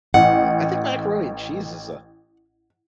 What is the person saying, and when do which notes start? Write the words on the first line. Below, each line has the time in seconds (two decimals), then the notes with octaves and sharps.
Uh, I think macaroni and cheese is a
0.14 A1 F#5